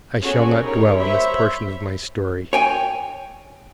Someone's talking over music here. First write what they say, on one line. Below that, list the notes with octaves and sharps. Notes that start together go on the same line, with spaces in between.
I shall not dwell on this portion of my story.
C4 C#4 F#4 G#4 A4 C#5
G3 D#4 A#4 C#5
C5 C#5 E5 B5
C#5 G5 G#5